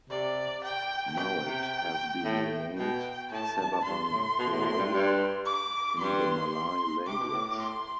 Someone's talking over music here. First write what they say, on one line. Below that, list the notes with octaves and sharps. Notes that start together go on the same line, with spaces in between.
Now it has been renamed "Seberang Perai" in the Malay language.
C3 D5
G5
B2 G5
C3
A2
B2 G5
A2 A5
G2
G2 C6
A2
B2
A2
B2
A2
G2
G2
D6
G2 C6
C3 D6
B2
A2
A2
C6